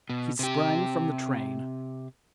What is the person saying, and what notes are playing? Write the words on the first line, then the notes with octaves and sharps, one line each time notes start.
He sprang from the train.
B2
C3 G4